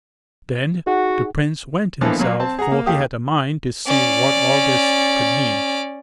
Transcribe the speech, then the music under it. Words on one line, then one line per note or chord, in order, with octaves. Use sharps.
Then the Prince went himself, for he had a mind to see what all this could mean.
D#4 F#4 G#4 F#5
B2 D3 E3 F3 A#3 B3
A#2 F#3 A#3
C4 A5
G#4 F#5 A#5
A#3
D#2 G4 F5 D#6
C#4 D5